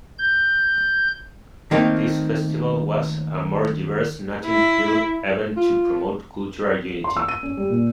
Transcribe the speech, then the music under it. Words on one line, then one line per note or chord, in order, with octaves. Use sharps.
This festival was a more diverse Notting Hill event to promote cultural unity.
G6
D#3 A3 A#3 C4 D#4
E4
F4
C6
E6
D#7
C#4
G3
A#2